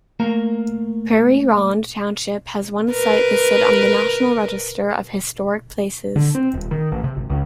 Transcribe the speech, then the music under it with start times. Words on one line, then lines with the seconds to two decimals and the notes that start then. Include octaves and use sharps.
Prairie Ronde Township has one site listed on the National Register of Historic Places.
0.20 A3 A#3 A#4 F5 A#5
2.92 A#4 B4
6.16 D3
6.35 C4
6.54 D#1
6.71 D#3
6.92 A1
7.04 C3
7.16 G#1
7.30 C#2